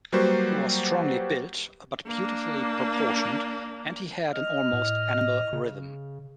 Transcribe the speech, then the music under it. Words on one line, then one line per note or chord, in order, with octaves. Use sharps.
He was strongly built but beautifully proportioned and he had an almost animal rhythm.
F#3 G3 A#3 F#4 B4 C5
A#3 D4
D#5 F6
A2
C#3